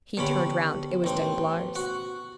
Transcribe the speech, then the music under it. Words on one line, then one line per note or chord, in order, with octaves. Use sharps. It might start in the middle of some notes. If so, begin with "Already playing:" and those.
He turned round; it was Danglars.
D3 B3 C#4 G4 B5
A1 C4
F#4